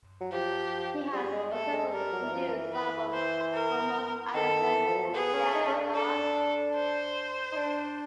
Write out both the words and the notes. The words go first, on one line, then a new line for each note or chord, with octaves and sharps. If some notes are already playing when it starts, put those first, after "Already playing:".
He has also produced albums for Mose Allison and Diana Ross.
F#3
F3 G4
G3 G#4
G#3
G#3
A3 A4
G#3
G3 A#4
F#3
E3
F3
F3
E3
B4
C5
A#4
D#3 A4
E3
F3
F#3
F3
B3 G#4
C#4
D#4
C#4
D4
D4 A4
C5
D#4
D4